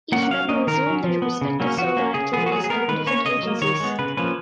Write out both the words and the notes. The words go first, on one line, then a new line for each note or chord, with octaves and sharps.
Each member resumed their respective solo activities under different agencies.
A#3 C#4 F#5
F#5
F#3 F5
A#3 C#4 D#5
D#3 A#4
F#3 C#4
F3
B3
C#3
F#3 A#3 C#4
F3 F#4
A#3 C#4
C#3 G#4
F3 B3 G#4
F#4
F#3 G#4
G#4
B3 A#4
D#3 B4
A#3 C#4 C#5
C#3 D#5
F#3 A#3
D#3 C#5
G#3 B3
C#3 B4
F3 A#3 C#4 B4